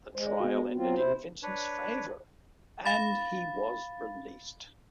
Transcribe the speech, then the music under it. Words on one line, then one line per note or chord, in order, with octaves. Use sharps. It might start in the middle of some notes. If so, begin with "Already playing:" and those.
The trial ended in Vincent's favour, and he was released.
G#3 C5
D5
B3 F#4
F#3 C4 F4
C3 E4 C5
D4 B4 C#5
F5 B5 A6